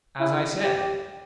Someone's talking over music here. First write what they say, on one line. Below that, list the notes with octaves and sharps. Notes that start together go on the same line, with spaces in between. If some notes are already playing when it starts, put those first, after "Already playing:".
"As I said."
E4
G4